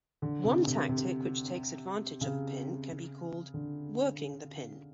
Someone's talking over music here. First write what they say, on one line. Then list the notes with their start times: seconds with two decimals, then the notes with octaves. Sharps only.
One tactic which takes advantage of a pin can be called "working the pin".
0.22 D3
0.44 C3
0.67 C3
0.89 C3
2.21 C#3
3.54 D3